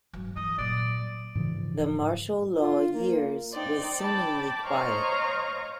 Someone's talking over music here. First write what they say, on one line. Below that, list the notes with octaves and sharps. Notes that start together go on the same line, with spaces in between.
The Martial Law Years was seemingly quiet.
G2 F#3
E3 D#5
A#2 F#3 D5
G#2 C#3 E3 F3
F4
A#3
D#4 C5 D5 G5
G5 A5 B5 D6
C5 C#5 D#5 F5 A#5 C#6